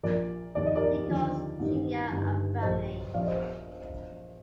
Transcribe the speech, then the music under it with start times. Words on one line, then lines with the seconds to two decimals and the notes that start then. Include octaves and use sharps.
Nichols, Junior and family.
0.03 A#1 A#2 F3 A#4 D5
0.55 F1 D#2 D#3 D5
0.66 D#5
0.76 A#4 D5
1.07 D#2 D3 F3
1.59 A1 G2 D#3
2.11 G1 G2 D#3
2.62 A#1 A#2 F3 C5 D#5
3.14 A#1 A#2 F3 D5 F5
3.26 C5 D#5